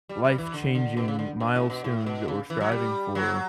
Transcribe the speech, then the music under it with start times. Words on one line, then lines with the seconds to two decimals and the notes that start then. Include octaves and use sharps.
life-changing milestones that we're striving for,
0.09 G3
0.24 G3
0.38 E3
0.54 D3
0.75 D3
0.97 B2
1.08 C#3
1.19 D3
1.40 B2
1.55 A2
1.70 B2
1.84 A2
2.06 B2
2.28 C#3
2.50 E3
2.60 F#3
2.71 G3
3.15 F#3